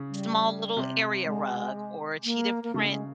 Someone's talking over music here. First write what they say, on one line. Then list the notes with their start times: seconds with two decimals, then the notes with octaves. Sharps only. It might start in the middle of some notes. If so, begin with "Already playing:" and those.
small little area rug or a cheetah print
Already playing: C#3
0.09 G3
0.77 C3
1.25 G#3
2.25 A#3
2.64 A#3
2.74 C#3 A3
2.91 G#3